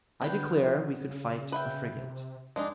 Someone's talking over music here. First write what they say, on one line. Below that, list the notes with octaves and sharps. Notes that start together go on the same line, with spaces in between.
I declare we could fight a frigate.
D3 B3 G5
F3
C#3
B4 E5 G5
C3
F2 G#3 D4 D#4